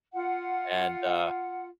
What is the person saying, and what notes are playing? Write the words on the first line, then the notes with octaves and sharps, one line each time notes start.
and uh
F4 F#5